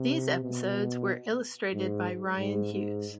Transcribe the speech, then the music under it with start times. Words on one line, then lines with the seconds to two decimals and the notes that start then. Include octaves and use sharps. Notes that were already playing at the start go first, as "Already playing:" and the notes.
These episodes were illustrated by Rian Hughes.
Already playing: C3
0.44 B2
1.74 G#2
2.39 G#2
2.73 G#2